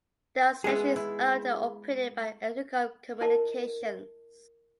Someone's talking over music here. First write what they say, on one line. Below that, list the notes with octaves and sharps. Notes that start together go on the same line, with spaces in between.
The station is owned and operated by Entercom Communications.
G#3 B3 E4 G#4
E4
E4 A#4 D#5 A5